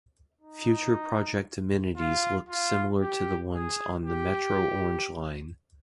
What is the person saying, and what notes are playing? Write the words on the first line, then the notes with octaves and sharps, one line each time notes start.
Future project amenities looked similar to the ones on the Metro Orange Line.
D#4
F4
F4
G4
G#4
G4